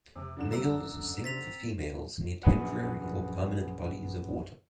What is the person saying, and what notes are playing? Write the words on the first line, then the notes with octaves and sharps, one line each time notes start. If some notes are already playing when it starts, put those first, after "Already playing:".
Males sing for females near temporary or permanent bodies of water.
F1 C3
F#2 D3 E7
G3 A#5 E6
F#1
C4 A6 B6 F7
A#1 F#2 G#4 B4 F#5